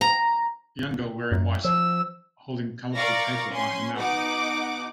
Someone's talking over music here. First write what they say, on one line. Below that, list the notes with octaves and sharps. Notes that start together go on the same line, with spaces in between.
Young girl wearing white holding colorful paper by her mouth.
A#5
F#2
F3 E6
A#4 D5 F5 C#6 A#6
C#4 C6
B2 D#4 F#5 D6